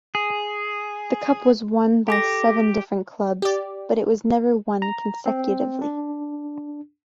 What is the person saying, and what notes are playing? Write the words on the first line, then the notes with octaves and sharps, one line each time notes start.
The cup was won by seven different clubs but it was never won consecutively.
G#4
G4 A4 D6 A#6
G4 D5
A#5
C4
D4